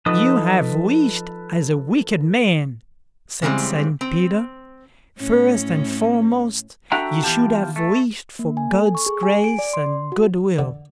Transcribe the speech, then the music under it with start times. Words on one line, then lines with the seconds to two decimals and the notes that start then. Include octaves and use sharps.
'You have wished as a wicked man', said St Peter; 'first and foremost, you should have wished for God's grace and goodwill.'
0.06 F3 D#4 A4 B4 D#5 D#6
3.42 C#3 E3 G3 G#3 C4
4.01 C4
5.18 A2 C#4
6.92 D4 F#4 A4 E5 G5 A#5
7.23 E3 B3 F4 G4 A5
7.76 A3
8.39 A#3
8.57 G#5
8.74 A4
8.95 C#6
9.06 G#4
9.23 G#5
9.44 D7
9.59 D5
9.73 C6
10.12 F#4
10.59 D3